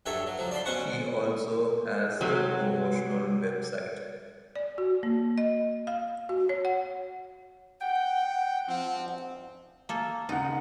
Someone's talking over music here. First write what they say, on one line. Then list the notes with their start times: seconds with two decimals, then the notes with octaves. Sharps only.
He also has a promotional web site.
0.06 G2 F#3 A4 C#5 E5
0.27 F#3
0.38 F3 F#3
0.51 D5 A5 B5 C6
0.65 B2 C#4 C5 F#5 C#6
2.21 C3 F#3
4.56 D5
4.78 F#4
5.03 A#3
5.38 D#5
5.87 F5
6.29 F#4
6.49 C#5
6.65 F#5
7.81 F#5 G5
8.68 F3 C4
9.89 A#3 A4
10.29 D#2 C#3 D#4 F#5